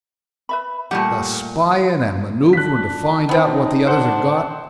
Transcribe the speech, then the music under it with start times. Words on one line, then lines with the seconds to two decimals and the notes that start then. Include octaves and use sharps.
The spying and manoeuvring to find out what the others have got.
0.49 B4 E5 B5
0.91 A#2 G3 A3 G4 F#5 A5
2.03 A#3
2.53 D4 F#6 B6
3.29 B3 C4 D#4
3.87 D4 C5 D5 F#5